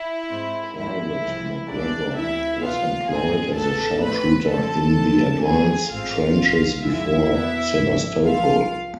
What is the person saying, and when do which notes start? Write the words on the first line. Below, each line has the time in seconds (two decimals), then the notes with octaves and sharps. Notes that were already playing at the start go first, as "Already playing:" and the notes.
Private McGregor was employed as a sharpshooter in the advance trenches before Sebastopol.
Already playing: E4
0.30 G#2 G#3 C4
0.77 G#2 F3 G#3 C4 E4
1.23 C2 C3 F3 G#3
1.70 C2 B2 G#3 D4 D5
2.16 D2 C3 E3 E4 E5
2.64 E2 C3 F3 B3 F4 F5
3.10 A1 G#2 G#3 C4 G#4 G#5
3.56 A1 A2 G#3 B3 A4 A5
4.04 A2 F3 A3 C4 B4 B5
4.50 F2 D3 A3 C4 A4 A5
4.97 F2 C3 F3 G#3
5.43 F2 C3 E3 A3 C4 G#4 G#5
5.90 A1 G#2 G#3 C4 F4 F5
6.37 B1 A2 E3
6.84 F2 D3 F3 G#3 E4 E5
7.30 E2 B2 B3
7.77 G#1 G#2 F3
8.24 B1 A2 F3 F4 F5